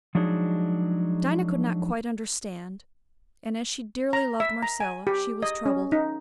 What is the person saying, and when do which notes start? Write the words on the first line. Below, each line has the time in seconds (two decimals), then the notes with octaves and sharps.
Dinah could not quite understand and, as she dearly loved Marcella, she was troubled.
0.15 F3 F#3 G#3 D4 D#4 G#4
4.13 A#5
4.40 E5
4.62 A#5
4.80 G#5
5.07 G4
5.43 D#5
5.66 C#4
5.92 D#4